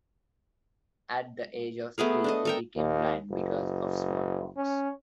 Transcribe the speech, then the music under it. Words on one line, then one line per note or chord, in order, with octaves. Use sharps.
At the age of three he became blind because of smallpox.
A3 B3 G#4 A#4
D4 A4 D#5
A4 A#4 G5
D#2
F#1
C#4